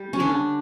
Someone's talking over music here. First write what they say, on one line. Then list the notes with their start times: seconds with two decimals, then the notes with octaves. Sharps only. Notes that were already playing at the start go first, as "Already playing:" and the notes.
you know,
Already playing: G3
0.13 C#4
0.20 D3 D4